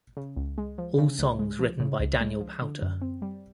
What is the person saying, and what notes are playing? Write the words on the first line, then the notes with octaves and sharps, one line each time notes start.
All songs written by Daniel Powter.
C#3
C#2
G#3
F3
C#3
C#2
G#3
F3
C#3
C#2
G#3
F3
D3
F#2
C4
G3